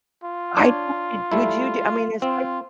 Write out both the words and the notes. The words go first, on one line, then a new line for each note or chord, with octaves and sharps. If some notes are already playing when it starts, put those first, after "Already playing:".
I wouldn't would you do I mean, it's like
F4
D4 C#5
G3 A3 E4
C4 F4